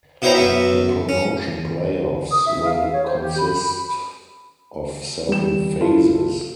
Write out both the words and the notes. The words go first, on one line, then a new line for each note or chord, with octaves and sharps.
The Promotion Play–offs will consist of seven phases.
B2 E4 C5 C#5 G5 A#5
F#2 B3 E5
C#4
D#6
E5
F5
F5
C#5
C5
G4
B5
B5
G3 E7
E4 F4 A4